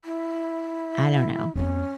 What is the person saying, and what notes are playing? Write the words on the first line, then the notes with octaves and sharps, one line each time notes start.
I don't know,
E4
F2 B3 C#4